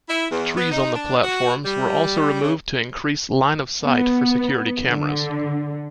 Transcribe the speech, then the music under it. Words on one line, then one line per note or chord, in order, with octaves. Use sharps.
Trees on the platforms were also removed to increase line-of-sight for security cameras.
E4
E2
B3
D#4
D4
F#4
G3
C#3
B3
D3